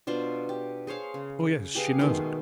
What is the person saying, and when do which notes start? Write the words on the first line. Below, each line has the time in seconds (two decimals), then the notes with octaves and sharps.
"Oh, yes, she knows it."
0.07 B2 D4 F4 C5
0.49 G4
0.87 G#4 C5 C#5 F5
1.14 C#3
1.75 G4 G#4 B4 F5
1.99 B2 D#3 G#3 A3